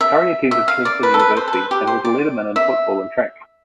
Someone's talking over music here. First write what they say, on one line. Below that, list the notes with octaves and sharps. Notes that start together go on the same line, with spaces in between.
Currie attended Clemson University and was a letterman in football and track.
E5
E5
F5
D5
B4
A4
B4
C5
A4
B4
G4
C5
D5
E5